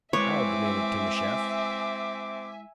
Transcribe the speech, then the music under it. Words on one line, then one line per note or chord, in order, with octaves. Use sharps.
"How?" demanded Timascheff.
G#3 C4 E4 B4 C#5 E5 G#5 D6